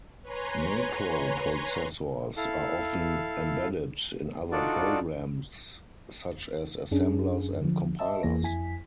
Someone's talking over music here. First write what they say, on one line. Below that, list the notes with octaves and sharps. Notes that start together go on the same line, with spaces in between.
Macro processors are often embedded in other programs, such as assemblers and compilers.
B4 C#5 G#5 A#5 C6
E4 A4 F5
D4 D#4 F4 F#4 A4 D5
F#2 C#4 D4 G#4
D3 F3
D#5 E5 A5 E6
E2 E3 A#3 G#4 A#6
F2 E4 G#5 B6